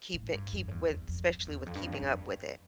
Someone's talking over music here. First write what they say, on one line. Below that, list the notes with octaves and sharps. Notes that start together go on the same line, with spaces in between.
keep it keep with especially with keeping up with it.
A2
G2
F2
E2
E2
F2
F2
E2
F2
G2
F2
G2
F2